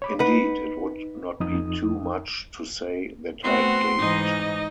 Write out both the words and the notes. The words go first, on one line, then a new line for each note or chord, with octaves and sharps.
Indeed, it would not be too much to say that I gaped.
C#5 B5 D6
D#4 B4 F#5
F2 D#4 D#6
A3 B3 C4 F#4 C6
G#2 E3 D#4 D#5